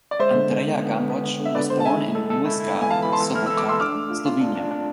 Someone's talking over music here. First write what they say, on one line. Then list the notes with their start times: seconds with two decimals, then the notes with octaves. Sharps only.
Andreja Gomboc was born in Murska Sobota, Slovenia.
0.11 D5
0.19 G#3 C5 E5
0.34 D3
0.50 B3
0.64 D3
0.79 B3
0.95 B3
1.10 B3
1.25 B3
1.40 D3
1.45 E5
1.55 D3 B4 D5
1.70 D3 C5
1.80 A5
1.85 G#3 E5 G#5
2.00 E4
2.15 A4
2.30 A4
2.45 E4
2.60 E4
2.75 B3
2.81 G#5
2.90 E3 F5 A5
3.02 E3 B5
3.12 A5 C6
3.20 A4
3.35 E4 F6
3.46 A4 E6
3.57 D6
3.65 A4 C6 E6
3.80 D4 D6 F6
3.95 A3
4.10 F4
4.25 F4
4.40 D4
4.55 D4
4.71 D4